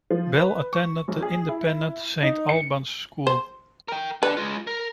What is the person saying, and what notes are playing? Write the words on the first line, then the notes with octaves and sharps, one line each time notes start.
Bell attended the independent Saint Albans School.
F3
B4
C#6
A#1
G#4
E4
D#4
C#7
C5
A#4 G5
D4 A4 B4
G#3 F4
A#4